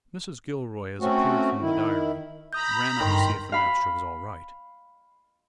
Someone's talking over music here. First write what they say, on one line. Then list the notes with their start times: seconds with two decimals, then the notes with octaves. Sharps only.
Mrs. Gilroy--as appeared from the diary--ran up to see if the master was all right.
1.00 A3 C4 C#4 F#4
1.62 D#3 E4
2.53 A#5 B5 D#6 G6
3.00 G1 G#2 D3 D#3 G5 C6
3.52 F5 B5